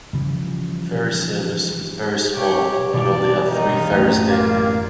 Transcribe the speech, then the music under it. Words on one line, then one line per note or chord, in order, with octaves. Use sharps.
Ferry service was very small and only had three Ferries daily.
C#3 E3 F3 G3
G4 C#5
B2 E3 D5
D#2 D#3 D#4
A1 F#2
G3 A#3 F4